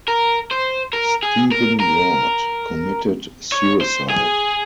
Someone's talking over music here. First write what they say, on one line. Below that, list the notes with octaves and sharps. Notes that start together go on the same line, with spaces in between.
Stephen Ward committed suicide.
A#4
C5
A#4
G#4
A#4
A#4
C#5
C5
G#4